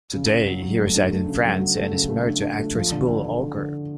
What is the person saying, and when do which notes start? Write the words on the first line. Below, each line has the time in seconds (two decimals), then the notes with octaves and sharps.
Today he resides in France and is married to actress Bulle Ogier.
0.13 C#3
0.30 C#3
0.45 F#3
0.62 F#3
0.79 A3
0.94 D4
1.11 A3
1.28 C#3
1.44 F#3
1.60 F#3
1.77 A3
1.93 C#3
2.09 A3
2.25 D4
2.42 D4
2.59 A3
2.75 F3
2.92 D3
3.07 D3
3.25 D3
3.41 D3
3.56 D3